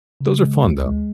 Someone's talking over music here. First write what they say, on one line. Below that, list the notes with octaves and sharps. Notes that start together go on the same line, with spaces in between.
Those are fun, though.
C#3
G#3
D2
G#3